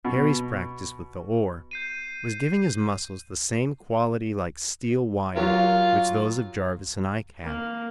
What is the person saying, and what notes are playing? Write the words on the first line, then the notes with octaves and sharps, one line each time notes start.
Harry's practice with the oar was giving his muscles the same quality like steel wire which those of Jarvis and Ike had.
B2
G6 C7 D#7
F#3 F4 G4 A#4
A#3